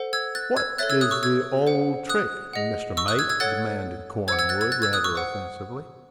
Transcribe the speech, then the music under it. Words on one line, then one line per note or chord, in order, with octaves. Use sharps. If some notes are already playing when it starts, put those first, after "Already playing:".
"What is the old trick, Mr. Mate?" demanded Cornwood, rather offensively.
Already playing: A4 C5 F#5
E6 G#6
F#6 A6
E6 G#6
A4 C#5 E5 F#6 A6
E6 G#6
D#6 F#6
C#6 E6
E6 G#6
C5 F#5
D#6 F#6
G#4 D#5 F#5
C#6 E6
D#6 F#6
E6 G#6
E6 G#6
A4 C#5 F#5 F#6 A6
C5 F#5 E6 G#6
E6 G#6
F#6 A6
E6 G#6
F#6 A6
E6 G#6
D#6 F#6
C#6 E6
C5 F#5